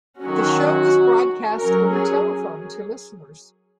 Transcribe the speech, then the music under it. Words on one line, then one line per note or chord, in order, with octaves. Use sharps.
The show was broadcast over telephone to listeners.
D#3 F#3 C#4 F#4
F#3 C#4 A#4
G#4